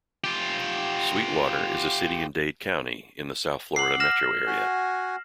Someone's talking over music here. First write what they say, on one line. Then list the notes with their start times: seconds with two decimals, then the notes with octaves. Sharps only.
Sweetwater is a city in Dade County, in the South Florida metro area.
0.24 F4 G4
3.76 F#5 D6 E6 C7 F#7
4.00 F6 A#6 E7
4.47 F#4 F#5 G#5